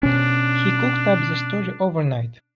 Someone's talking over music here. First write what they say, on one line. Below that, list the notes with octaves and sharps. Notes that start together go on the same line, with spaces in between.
He cooked up the story overnight.
B2 C#4 D4